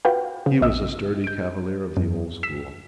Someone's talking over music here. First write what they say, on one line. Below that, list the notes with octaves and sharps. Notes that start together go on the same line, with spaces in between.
He was a sturdy Cavalier of the old school.
F4 F#4 B4 F5 G5
C#3
A#1 D#5 E6
G6 D7
F#2
E6 B6 C7 E7